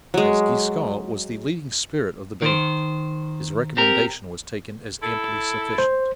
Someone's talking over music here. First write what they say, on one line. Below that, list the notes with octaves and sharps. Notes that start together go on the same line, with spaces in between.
As Giscon was the leading spirit of the band his recommendation was taken as amply sufficient.
F#3 G#3
D#3 C5
C4 G4 A#4
E4 A4
C5